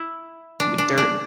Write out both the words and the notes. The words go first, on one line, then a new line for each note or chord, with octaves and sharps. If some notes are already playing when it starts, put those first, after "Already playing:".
mm dirt and
Already playing: E4
D4
D4
D4